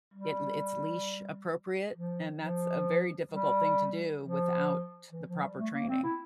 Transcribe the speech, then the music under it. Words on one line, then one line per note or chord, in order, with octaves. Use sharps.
it it's leash appropriate, and that's a very difficult thing to do without the proper training.
G3
F3
F3
G3
F3
E3
F3
G3
A3
A#3
C4
E4